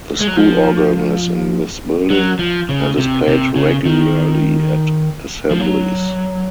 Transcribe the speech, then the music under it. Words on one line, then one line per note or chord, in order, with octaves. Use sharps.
The school organ is in this building, and is played regularly at assemblies.
G#3
F#3
F3
F#3
F3
C#3
C3
C3
C#3
D#3
F3
F#3